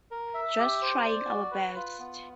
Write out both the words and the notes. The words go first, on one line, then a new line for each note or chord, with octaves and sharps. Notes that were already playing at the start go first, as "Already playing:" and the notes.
Just trying our best.
A#4
E5
G4
C5
D5
F#4
B4
F4
B3